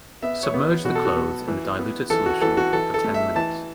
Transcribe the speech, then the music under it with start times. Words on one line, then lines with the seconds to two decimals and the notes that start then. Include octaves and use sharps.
Submerge the clothes in the diluted solution for ten minutes.
0.22 B3 E5
0.43 C#5
0.54 B3
0.85 B2 F#4
0.95 A4
1.05 F#4
1.16 B3
1.48 E3
1.79 B3
2.10 E3 A4
2.26 F#4
2.41 E3 A4
2.57 F#4
2.73 E3 A4
2.94 A4
3.04 A3
3.14 E5
3.35 E3 A5